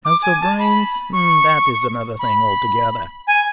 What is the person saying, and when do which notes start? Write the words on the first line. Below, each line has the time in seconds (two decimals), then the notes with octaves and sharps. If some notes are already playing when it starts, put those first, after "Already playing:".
As for brains, that is another thing altogether.
0.05 D6
0.22 G#5
0.41 A5
0.59 B5
1.13 C#6
2.19 B5
3.27 G#5